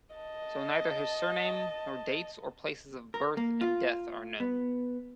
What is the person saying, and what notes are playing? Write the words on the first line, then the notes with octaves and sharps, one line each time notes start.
So, neither his surname, nor dates or places of birth and death are known.
D#5 A5
A#4
A#3
F4
B3